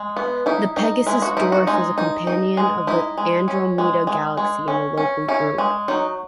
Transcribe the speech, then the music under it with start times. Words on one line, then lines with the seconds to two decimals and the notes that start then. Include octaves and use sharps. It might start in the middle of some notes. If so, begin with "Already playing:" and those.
The Pegasus Dwarf is a companion of the Andromeda Galaxy in the Local Group.
Already playing: G#3
0.17 B3
0.46 D#4 E4
0.77 D#4
1.07 G#3 E4
1.22 F#4
1.37 D#4 E4
1.52 F#4
1.67 G#3 D#4
1.98 D#4
2.27 D#4
2.57 G#3
2.87 D#4 E4
3.18 G#3
3.48 C#4
3.78 G#3
4.07 G#3
4.37 G#3
4.68 C#4
4.97 C#4
5.28 C#4 E4
5.58 G#3
5.88 F#3 D#4